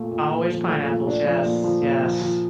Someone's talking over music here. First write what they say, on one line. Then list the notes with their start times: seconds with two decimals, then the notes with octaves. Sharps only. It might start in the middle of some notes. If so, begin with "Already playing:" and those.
Always pineapples, yes, yes.
Already playing: A#2 A3
0.11 A#2
0.30 A#2
0.50 F3
0.69 A3
0.87 A#2
1.07 D4
1.25 F3
1.45 A#2
1.64 F3
1.82 A#2
2.03 F3
2.21 F3